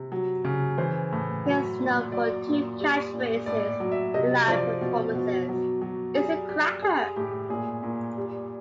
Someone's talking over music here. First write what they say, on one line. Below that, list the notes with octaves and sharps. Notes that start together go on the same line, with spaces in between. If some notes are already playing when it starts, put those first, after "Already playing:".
He is known for two catchphrases in live performances: It's a cracker!
Already playing: C3
F#3
C#3
E3 C5
A2
F#3
A#2
F#3 D5
A#2
G3
A#2
A2 D5
D5
F#3
E5
C3 D#5
F3 D5
B2
B2
F#3
F#3
G3 G#4
G3 G4
G3 G#4
A2 G4
A#2 G#4
A#2
G3